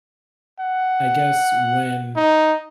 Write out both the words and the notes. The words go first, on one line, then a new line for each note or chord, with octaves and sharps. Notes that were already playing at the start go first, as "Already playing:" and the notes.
I guess when,
F#5
D#4